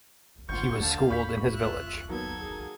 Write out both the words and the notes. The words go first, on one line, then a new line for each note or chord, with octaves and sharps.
He was schooled in his village.
G#1 D2 F4 C6 C#6 G6
D#2 D3 F5 A5
E2 B5 C#6 G6 B6
F4 E5 F#6
D#3 F#3 A#3 B3 A4 G#6
G#4